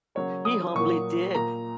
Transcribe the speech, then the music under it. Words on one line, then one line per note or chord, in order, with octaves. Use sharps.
He humbly did.
C#3 F#3 A#3 C#5
D#6
A#2 F#3 A#3 C#6
A#2 A#3 A#5